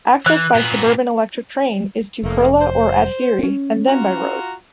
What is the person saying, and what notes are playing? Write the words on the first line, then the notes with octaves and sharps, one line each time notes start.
Access by suburban electric train is to Kurla or Andheri and then by road.
E3 F#6
A#2 B3
F1 A3 A#3
C5
C4 C#4
F4 F#4 A#5